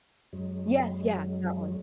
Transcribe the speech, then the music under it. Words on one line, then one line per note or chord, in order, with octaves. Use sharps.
Yes, yeah, that one.
F#2 F#3 G#3